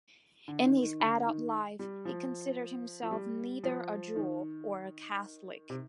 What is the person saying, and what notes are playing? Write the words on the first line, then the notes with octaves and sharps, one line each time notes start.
In his adult life he considered himself neither a Jew nor a Catholic.
D3
D#3
D#3
D3
D#3
G3
F3
F3
G3
F3
D#3
C3